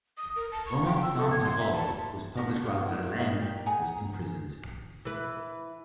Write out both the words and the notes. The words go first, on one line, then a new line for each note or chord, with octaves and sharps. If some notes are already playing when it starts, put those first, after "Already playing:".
"Romances sans paroles" was published while Verlaine was imprisoned.
D#6
A#4
A5
C#6
G5
E6
A4
G#6
C6
E5
A5
C#4 D4 A#4 B4
A#4 F5 F#5
E4
D#4 A#4 E5
G4
G#4 F#5 G#5 A#5
E3 B4